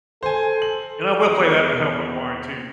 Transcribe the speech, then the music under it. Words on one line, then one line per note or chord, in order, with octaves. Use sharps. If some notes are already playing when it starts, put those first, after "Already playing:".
And I will play that to help unwind too.
A4 C5 G#5
F#7
E2